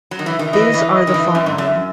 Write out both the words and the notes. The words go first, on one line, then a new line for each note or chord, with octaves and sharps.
These are the following.
F#3
D#3
E3
D#3
E3 D#5
E3
D#5
D#3
E3
F#2 E5
G#2
F#2